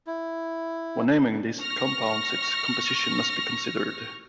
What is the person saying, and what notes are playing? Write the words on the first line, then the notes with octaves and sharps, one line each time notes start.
When naming these compounds, its composition must be considered.
E4
C#6 F6 A#6